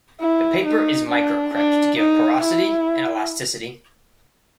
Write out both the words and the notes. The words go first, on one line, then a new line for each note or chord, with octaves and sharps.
The paper is microcrepped to give porosity and elasticity.
E4
D#4
D4
D4
D#4
E4